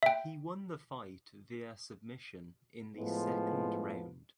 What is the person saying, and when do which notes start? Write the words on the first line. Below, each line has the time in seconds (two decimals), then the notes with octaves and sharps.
He won the fight via submission in the second round.
0.03 E5 G5
2.96 A2 F3 G#3 B3